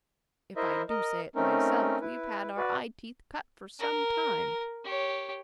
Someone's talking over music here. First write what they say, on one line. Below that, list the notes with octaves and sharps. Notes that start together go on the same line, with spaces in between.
If I do say it myself, we've had our eyeteeth cut for some time.
E4 A#4 C5 D#5 E5
A#4 D#5
A3 C4 C#4 D#4 A#4
E4 B4
F#4 B4 D5
A#4
G4 C#5